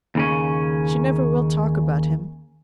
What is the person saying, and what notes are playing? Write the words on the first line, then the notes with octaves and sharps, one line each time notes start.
She never will talk about him.
D#2 C#3 C#4